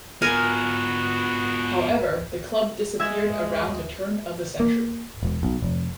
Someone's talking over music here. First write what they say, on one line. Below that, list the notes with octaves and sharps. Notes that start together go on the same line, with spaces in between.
However, the club disappeared around the turn of the century.
B3 F4 F#4 A#4 G#5
G#3 E5 G#6
A#3
E1
B1
F1